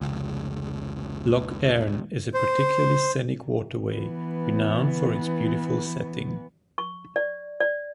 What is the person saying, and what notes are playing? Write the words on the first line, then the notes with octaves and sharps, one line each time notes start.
Lough Erne is a particularly scenic waterway, renowned for its beautiful setting.
F1 C#2
C5
E3 B3
C#6
D5
D5